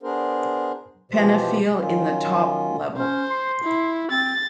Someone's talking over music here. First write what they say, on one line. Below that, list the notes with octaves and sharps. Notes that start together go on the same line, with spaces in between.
Penafiel in the top level.
B3 D4 G#4 A#4 C5
B2 E3 F3 G4 C5
D#3 F#3 C#4 F4
C#4 C5
C6
E4
C4 A6